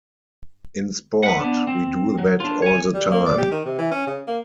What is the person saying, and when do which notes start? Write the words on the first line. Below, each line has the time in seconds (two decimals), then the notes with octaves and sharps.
In sport, we do that all the time.
1.23 B4 F#5
1.40 B3 D4
1.67 C4
2.18 F#3
2.40 D4 F4
2.62 C#5 G#5
2.94 G3
3.12 A#3
3.26 D5
3.38 G4
3.51 D#3
3.65 C3
3.78 E3
3.91 C#4
4.07 C#3
4.28 A#3